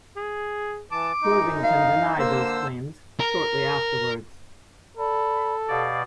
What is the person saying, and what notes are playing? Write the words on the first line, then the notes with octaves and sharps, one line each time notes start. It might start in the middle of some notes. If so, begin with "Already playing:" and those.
Worthington denied those claims shortly afterwards.
G#4
E3 A5 D6
F#2 D#4
F5
D3 A#3 C5 E6
A#4
A4 D5 B5
B2 G4 D5 F5